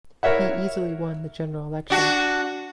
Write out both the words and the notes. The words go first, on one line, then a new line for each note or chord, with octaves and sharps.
He easily won the general election.
E4 A#4 C#5 E5 F#5
D4 F#4